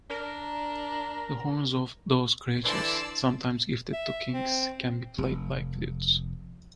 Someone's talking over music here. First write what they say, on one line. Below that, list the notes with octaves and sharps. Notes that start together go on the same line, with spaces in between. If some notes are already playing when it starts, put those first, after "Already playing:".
The horns of those creatures, sometimes gifted to kings, can be played like flutes.
D4 A#4
D3 E3 D4 E4 D5 A5 C6 E6
E5
C4
F1